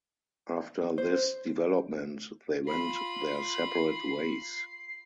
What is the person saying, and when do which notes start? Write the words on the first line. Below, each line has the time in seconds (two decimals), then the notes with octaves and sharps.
After this development, they went their separate ways.
0.98 C5
2.67 F4 B5 C7